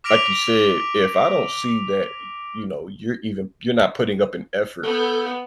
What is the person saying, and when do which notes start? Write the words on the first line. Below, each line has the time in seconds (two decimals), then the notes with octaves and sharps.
like you said, if I don't see that, you know, you're even you're not putting up an effort
0.04 D6 F6 A#6 B6 D7 F7
4.83 B3 A4 G6